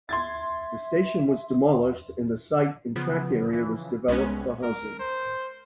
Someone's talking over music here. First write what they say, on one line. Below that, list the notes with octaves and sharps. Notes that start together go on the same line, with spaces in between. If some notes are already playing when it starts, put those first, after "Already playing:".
The station was demolished and the site and track area was developed for housing.
E5 C6 G#6 A6
C#3 F3 B3
E3
C2 G#3 B3 C#4
A#4
C5